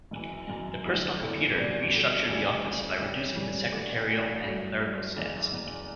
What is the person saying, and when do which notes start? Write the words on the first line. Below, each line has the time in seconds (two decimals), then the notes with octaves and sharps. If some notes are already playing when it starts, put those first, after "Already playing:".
The personal computer restructured the office by reducing the secretarial and clerical staffs.
0.11 F#1 F#2 E3
0.48 F#1 F#2 E3
0.84 E2 D3 A3 E4 G4
1.20 E2 D3 A3 E4 G4
1.56 E2 B2 G3 D4 A4
1.91 E2 B2 G3 D4 A4
2.27 D2 C#3 E3 G3
2.64 D2 C#3 E3 G3
3.00 G2 E3 G3 C#4 G4
3.36 G2 E3 G3 C#4 G4
3.72 A2 E3 A3 D4 F#4
4.08 A2 E3 A3 D4 F#4
4.44 G2 F#3 A3
4.80 G2 F#3 A3
5.16 F#1 E2 C#3
5.51 F#1 E2 C#3